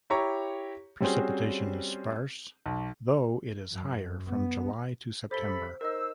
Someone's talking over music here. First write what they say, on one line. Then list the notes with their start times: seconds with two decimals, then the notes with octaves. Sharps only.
Precipitation is sparse though it is higher from July to September.
0.10 E4 G4 C#5 A#5 C#6
1.00 G3 C4 C#4 F#4 G#4 C5
2.66 B1
3.75 F#2
4.30 B3
5.31 C3 A4 C5 B5 G7
5.81 D#4 A#4 C5 D#5 E6